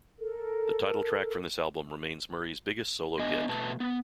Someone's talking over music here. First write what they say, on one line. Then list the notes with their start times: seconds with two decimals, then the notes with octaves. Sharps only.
The title track from this album remains Murray's biggest solo hit.
0.20 A4 A#4
3.19 B3 D4 D#5 G#5
3.49 B2 A3 B4 A5
3.80 B3